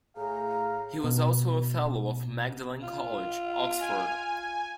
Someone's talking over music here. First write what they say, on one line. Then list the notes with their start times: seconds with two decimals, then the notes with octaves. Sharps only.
He was also a Fellow of Magdalen College, Oxford.
0.17 A2 G#4 F5 A#5
1.04 B2
2.83 F4
3.80 G#5